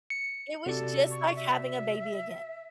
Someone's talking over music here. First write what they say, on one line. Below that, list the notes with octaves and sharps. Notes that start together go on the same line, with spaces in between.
It was, just, like having a baby again.
C#7
C3 F#4 A4 D5
C#6
E5